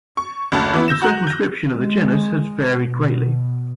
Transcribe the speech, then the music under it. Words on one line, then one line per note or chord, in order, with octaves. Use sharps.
The circumscription of the genus has varied greatly.
C#6
F#1 D2 A5
E3 B3 E4
E6 G6 A#6 E7
F#4 A#5 F#6
G6 A#6
G#3
B2